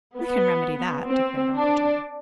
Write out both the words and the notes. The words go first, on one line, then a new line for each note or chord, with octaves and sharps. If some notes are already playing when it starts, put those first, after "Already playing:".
"We can remedy that," declared Uncle John.
B3
C4
D4